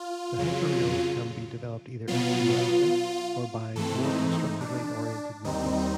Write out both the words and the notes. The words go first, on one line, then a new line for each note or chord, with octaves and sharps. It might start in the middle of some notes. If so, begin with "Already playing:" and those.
The hyperreals can be developed either axiomatically or by more constructively oriented methods.
Already playing: F4
F2 C#3 F#3
B2 F#3 B3 F4
G#2 E3 A3 C4 A4
D#4
D#4
D4
D#2 D#3 G3 C4 D#4